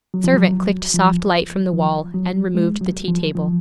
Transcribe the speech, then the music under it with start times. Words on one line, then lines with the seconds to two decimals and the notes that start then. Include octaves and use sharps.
A servant clicked soft light from the wall, and removed the tea-table.
0.14 F#3
0.24 F3
0.34 F#3
0.94 F3
1.74 F3
2.14 F#3
2.55 G#3
2.81 F#3
3.08 F3
3.35 F3